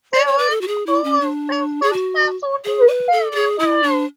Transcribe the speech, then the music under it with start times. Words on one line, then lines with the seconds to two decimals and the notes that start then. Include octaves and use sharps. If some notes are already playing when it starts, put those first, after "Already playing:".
The one who was the fastest would receive a prize.
0.14 D5
0.26 C#5
0.38 B4
0.50 A4
0.61 F#4
0.67 G#4
0.86 E4
1.04 C#4
1.21 D4
1.83 G#4
1.93 F#4
2.64 G#4
2.87 B4
3.12 A4
3.32 A4
3.35 G#4
3.59 E4
3.83 D4